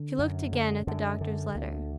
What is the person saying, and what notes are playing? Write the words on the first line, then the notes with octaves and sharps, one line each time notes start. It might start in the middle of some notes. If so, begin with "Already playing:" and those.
She looked again at the doctor's letter.
Already playing: D3
F#2
D3
F#2 D3
D3
D2